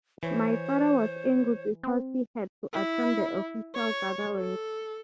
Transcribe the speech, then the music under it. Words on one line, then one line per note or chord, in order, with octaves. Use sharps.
My father was angry because he had to attend the official gatherings.
E3 C5 C#5
C4
E4
C#5
A4